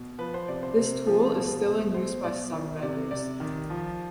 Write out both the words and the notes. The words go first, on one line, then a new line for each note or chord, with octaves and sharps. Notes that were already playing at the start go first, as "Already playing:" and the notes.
This tool is still in use by some vendors.
Already playing: B2
F3 B4
C5
C3 D5
C5
C3
F3
B2
B2
B2 C5
B2 D5
D#3
C3 D5
C3 D5
D#3
F3